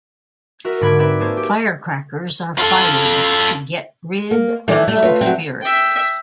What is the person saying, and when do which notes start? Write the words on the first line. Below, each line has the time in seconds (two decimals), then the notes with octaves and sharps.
Firecrackers are fired to get rid of ill spirits.
0.65 F#4 A#4 E5
0.81 G#2 D3 D5 B5 G#6 D7
0.99 C4 D#4 B4 D5 E5 B5
1.20 A#3 G#4 A4 C5 C#5
1.37 G4
2.58 F4 A4
4.31 A#3
4.68 D#3 E3 A3 D5
4.88 G3 A3
5.03 F4 B4 C#5
5.21 F#3 G3 C4
5.62 E5 G5